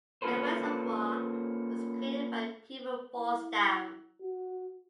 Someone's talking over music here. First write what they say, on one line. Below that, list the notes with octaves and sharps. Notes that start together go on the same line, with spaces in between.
The reservoir was created by the Peavy Falls Dam.
A#3 C#4 F4 A4 B4 C5
E4
F#4